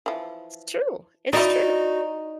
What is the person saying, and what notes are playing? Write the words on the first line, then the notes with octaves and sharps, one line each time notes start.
It's true, it's true.
E3 F3
D#4 E4 F#4 D5 D#5